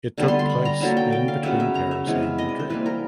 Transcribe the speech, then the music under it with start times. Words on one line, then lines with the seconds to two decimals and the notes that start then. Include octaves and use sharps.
It took place in between Paris and Madrid.
0.18 D3 G3 B3 A5
0.28 C6
0.39 C6
0.50 B5
0.65 A#5
0.81 D3 F#3 A#3 A5
0.97 G5
1.12 G5
1.28 F5
1.43 C#3 F#3 B3 E5
1.60 E5
1.75 A#5
1.91 E5
2.07 C3 E3 G#3 B3
2.15 F5
2.23 E5
2.38 D#5
2.49 D5
2.59 C5
2.70 E3 G3 A#3 B4
2.86 A#4